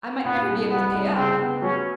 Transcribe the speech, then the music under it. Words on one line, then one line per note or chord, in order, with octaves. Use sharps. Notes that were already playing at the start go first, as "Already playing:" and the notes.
"I might never be able to pay up!"
A#2 B3
C2
G3 B3
C2
C#3 C4
B3
F#3 C#4